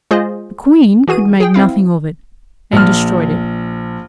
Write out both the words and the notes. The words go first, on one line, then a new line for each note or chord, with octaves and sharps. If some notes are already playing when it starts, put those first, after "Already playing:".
The Queen could make nothing of it, and destroyed it.
G#3 F4 G#4 C5 D#5
E3 F#4 G#4 D#7
G#4 G5
C4 E4 F5
A#1 F6